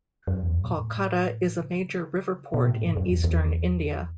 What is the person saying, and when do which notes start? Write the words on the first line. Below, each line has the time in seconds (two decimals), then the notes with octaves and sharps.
Kolkata is a major river port in eastern India.
0.28 F#2
0.43 E2
0.57 F#2
0.64 B2
0.70 A2
1.56 C#3
2.54 B2
2.68 A2
2.83 G2
2.97 F#2
3.10 E2
3.24 E2